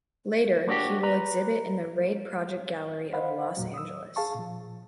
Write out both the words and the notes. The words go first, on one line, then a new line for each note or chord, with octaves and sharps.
Later, he will exhibit in the Raid Project Gallery of Los Angeles.
A#3 D4 F#4 G4
B4 A#5
C5 D#5 F5 F#5 B5
E2 A#2 F#3
D#6 E6
G#4 F5 A5 C#6
A#2 F3